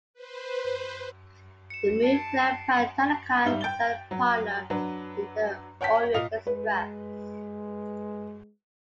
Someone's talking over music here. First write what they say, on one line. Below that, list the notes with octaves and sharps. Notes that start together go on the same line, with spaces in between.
The move left Pat Tanaka without a partner in The Orient Express.
B4 C5
C#7 E7
A5 C7 D7
G#2 G3 E5 F5 G7
G5 A6 G7
F#3
F#3 D4 B4
C#5 F#5 G5 A5 B6
A#2 D#5 F5 F7
G#3 B4